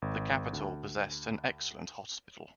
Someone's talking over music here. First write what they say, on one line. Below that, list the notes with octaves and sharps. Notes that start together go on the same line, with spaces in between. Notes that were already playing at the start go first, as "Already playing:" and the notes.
The capital possessed an excellent hospital.
G#1
D2